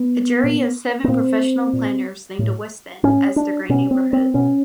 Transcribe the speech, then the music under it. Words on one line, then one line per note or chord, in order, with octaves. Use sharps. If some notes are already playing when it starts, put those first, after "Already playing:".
A jury of seven professional planners named the West End as the Great Neighbourhood.
Already playing: B3
A#2
B3
A#2 C4
A#2
A2
A2 C#4
D4
B2 C#4
C4
C4
B2 C#4